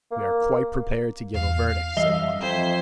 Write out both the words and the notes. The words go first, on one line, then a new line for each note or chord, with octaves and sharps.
"And we are quite prepared to give a verdict," said one.
A#3
E2 F5
E3 G3 D#5 E5 E6 G7
F2 C5 B5 G#6 B6